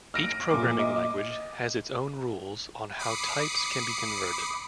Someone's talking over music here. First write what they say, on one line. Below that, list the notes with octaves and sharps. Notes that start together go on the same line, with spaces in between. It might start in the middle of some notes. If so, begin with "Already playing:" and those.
Each programming language has its own rules on how types can be converted.
F6 A#6 D7
A#2 D6
D#5 D6
B5 D6 D#6 C7 C#7